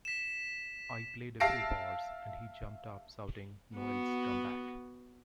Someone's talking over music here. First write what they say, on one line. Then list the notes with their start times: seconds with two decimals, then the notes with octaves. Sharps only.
I played a few bars and he jumped up shouting, 'Noel's come back'.
0.05 B6 E7
1.40 E5 F5 A5 A#6 C7 D7
3.77 B3 F#4